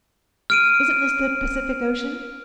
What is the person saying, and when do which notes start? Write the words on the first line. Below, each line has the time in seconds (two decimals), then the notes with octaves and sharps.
"Isn't this the Pacific Ocean?"
0.50 F6 D7 D#7